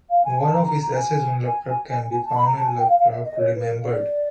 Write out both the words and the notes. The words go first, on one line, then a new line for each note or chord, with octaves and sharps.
One of his essays on Lovecraft can be found in Lovecraft Remembered.
F5
G#5
A5
A#5
A#5
A#5
G#5
A5
B5
A#5
A5
G#5
G5
F5
F5
E5
D#5
C#5
B4
A#4
D5